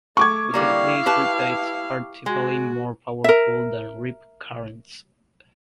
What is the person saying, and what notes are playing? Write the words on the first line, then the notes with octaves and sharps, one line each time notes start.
Because of this, riptides are typically more powerful than rip currents.
A3 C#6 D6 G#6
D3 G3 A#3 E4 F5
G4 B4 A5
G#3 F#4
A#4 E5